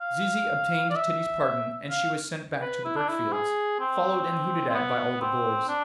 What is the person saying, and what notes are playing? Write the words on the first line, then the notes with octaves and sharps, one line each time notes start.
Zizi obtained Titty's pardon, and she was sent back to the brick-fields, followed and hooted at by all the boys.
F5
D5
E5
F5
B4
E4
D4
E4
G#4
C4
C4
B3
C4
D4